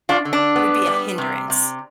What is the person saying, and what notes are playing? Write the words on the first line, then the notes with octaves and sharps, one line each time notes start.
it would be a hindrance
D4 F4
D3
D4
B3
G3
C3
C3